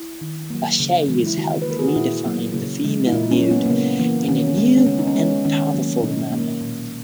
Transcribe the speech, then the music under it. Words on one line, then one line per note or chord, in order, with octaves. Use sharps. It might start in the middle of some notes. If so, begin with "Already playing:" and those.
Lachaise helped redefine the female nude in a new and powerful manner.
Already playing: E4
D#3
F#3 A#3
C#3
E3 G#3
E4
D#3 F#4
B4
A#3 A#4
G#4
F#4
A#2 E4
F#3 A#3
C#3
E3 G#3
E4
A#2 D#4
C#4
F#3 A#3
B3
A#3
C#3 B3
E3 A#3
D#3 C#4
G#3
C#4
C#3 B3
D#4
C#4
G#3 B3
D#3 C#4
F#3 A#3
B2 D#4
C#4
D#4
A#3
A#2